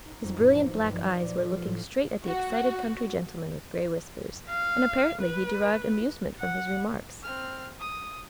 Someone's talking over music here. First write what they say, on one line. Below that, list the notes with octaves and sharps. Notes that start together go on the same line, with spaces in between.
His brilliant black eyes were looking straight at the excited country gentleman with gray whiskers, and apparently he derived amusement from his remarks.
D#4
F2
A2
B1
G2
F3
D5
A#2
A4
F4
A2
F#4
F5
B4
F#5
C4 F6
D#6